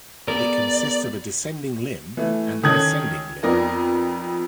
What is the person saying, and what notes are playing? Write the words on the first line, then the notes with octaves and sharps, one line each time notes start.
It consists of a descending limb and an ascending limb.
B3 G#4 A#4 D5
E3 A3
D#3 C#4 A4 D#6 G#6 F#7
F2 B3 D#4 A#4 D5 A#6